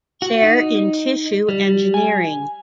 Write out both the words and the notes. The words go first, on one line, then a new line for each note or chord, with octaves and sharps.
Chair in Tissue Engineering.
F#4
D#4
G3
G#5